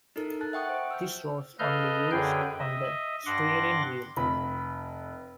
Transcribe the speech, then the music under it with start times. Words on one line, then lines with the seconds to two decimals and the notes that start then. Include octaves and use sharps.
This was only used on the steering wheel.
0.16 D#4 E4 A4 A#4
0.41 A5 F#6 A6
0.53 E5 F#5 G5 C#6 D#6 F#6
0.69 C5
0.91 E6 F6 G6
1.59 A4 B4 D#5 F5 F6 G6
2.11 F#2 D3 G#4 B4 G5
2.59 D#5 E5
3.26 G2 F#5 C6 D6 A#6
4.17 F1 B5